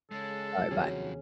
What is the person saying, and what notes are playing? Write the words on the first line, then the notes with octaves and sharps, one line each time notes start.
Alright, bye.
C#3 G#3 A4
D#2 C3 F3 F#3 C#4 G#4